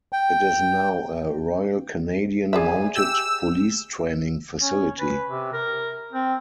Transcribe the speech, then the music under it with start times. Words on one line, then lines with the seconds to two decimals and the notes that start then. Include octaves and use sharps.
It is now a Royal Canadian Mounted Police training facility.
0.13 G5
2.53 G#4 D5 E5 G#5
2.95 G4 E6
4.60 C#4
5.00 B4
5.29 C3
5.53 A#4
6.13 C4